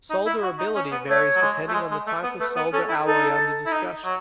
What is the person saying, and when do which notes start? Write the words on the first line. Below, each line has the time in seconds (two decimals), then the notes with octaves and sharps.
Solderability varies depending on the type of solder alloy under discussion.
0.10 D#4
0.26 E4
0.43 F#4
0.59 D#4
0.76 C#4
0.92 B3
1.09 A3 C#5
1.36 F#3
1.41 G#3
1.68 A3
1.74 G#3
1.91 G#3
2.07 A3
2.23 B3
2.40 A3 B4
2.56 B3
2.73 C#4 A4
2.89 E4
3.06 D#4 A4
3.66 E4
3.72 D#4
4.05 F#3